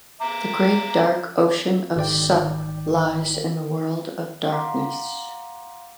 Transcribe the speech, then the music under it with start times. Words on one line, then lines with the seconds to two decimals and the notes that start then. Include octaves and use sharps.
The great dark Ocean of Sup lies in the World of Darkness.
0.21 E5 A#5 D6
1.96 G#1 D#3 D5 G5
4.52 F5 F#5 A#5 C6 D6